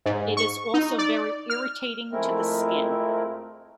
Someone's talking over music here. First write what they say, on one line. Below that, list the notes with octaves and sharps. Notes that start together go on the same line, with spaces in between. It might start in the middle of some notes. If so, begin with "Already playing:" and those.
It is also very irritating to the skin.
G#2
C#6
D#4
D5
F6
F2 G#3 A3 C4 E4 A#4